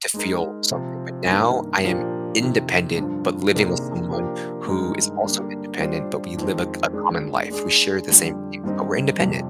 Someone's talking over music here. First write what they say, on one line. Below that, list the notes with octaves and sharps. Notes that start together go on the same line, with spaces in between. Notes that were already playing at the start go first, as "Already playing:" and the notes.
to feel something, but now I am independent, but living with someone who is also independent, but we live a c a common life, we share the same things, but we're independent
G#3 D#4 A#4
C3 F3 C4
G2 D#3 A#3
A#2 F3 A#3 D4 G4
F2 C3 D#3
G2 D3 F3
C3 D#3 A#3 D4 G#4
F3 A#3 D4 G4
G2 D#3 G#3 D#4 A#4
D3 G3 A#3 D4
G3 D4 F4 C5
F2 D#3 G#3 C4
D#3 G#3 D4 G#4
G#3 D4 G#4
F2 D3 G3
G2 D#3 G3 C4 D#4
F2 C3 G3